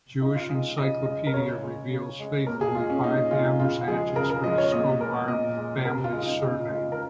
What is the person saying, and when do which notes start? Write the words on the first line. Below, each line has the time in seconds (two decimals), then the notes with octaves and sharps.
Jewish Encyclopedia reveals faithfully five hammers hatchets for this Coat of Arm family's surname.
0.21 C#3 D#4
0.35 F4
0.49 G#3 D#5
0.78 C#3 D#5
1.06 G#3 D#5
1.27 A#4
1.34 C#3 C#5
1.63 G#3
1.91 C#3
2.19 G#3
2.47 A#2 A#4
2.61 G#4
2.75 G#3 F4
2.90 C#4
3.03 A#2 D#4
3.31 G#3 F4
3.60 C#3 F4
3.88 F3 G#3 G#4
4.16 C#3 A#4
4.30 A#4
4.44 F3 G#3 D#5
4.58 C#5
4.72 A#2 D#5
5.01 G#3 A#4
5.28 A#2 D#5
5.57 G#3
5.85 C#3 A#4
6.04 F4
6.13 G#3
6.22 D#4
6.41 C#3 D#4
6.69 G#3 F4
6.92 A#4